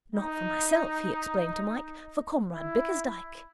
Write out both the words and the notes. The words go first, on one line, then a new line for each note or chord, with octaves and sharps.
'Not for myself,' he explained to Mike. 'For Comrade Bickersdyke.
D#4
E4